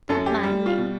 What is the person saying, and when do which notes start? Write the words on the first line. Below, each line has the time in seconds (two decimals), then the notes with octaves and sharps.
"Don't mind me."
0.09 F#2 A4
0.26 G4
0.43 G3
0.66 F4
0.78 B2